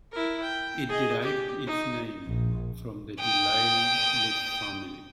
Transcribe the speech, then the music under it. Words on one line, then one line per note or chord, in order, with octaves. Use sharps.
It derived its name from the DeLisle family.
E4 A#4
G5
G#4 D#5
G4
D#4
A#1
G5 D#6